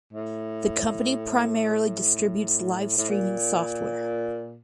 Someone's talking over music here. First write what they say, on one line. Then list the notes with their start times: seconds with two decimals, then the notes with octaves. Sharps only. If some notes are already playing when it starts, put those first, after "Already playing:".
The company primarily distributes livestreaming software.
0.13 A2
2.97 A2
3.09 A#2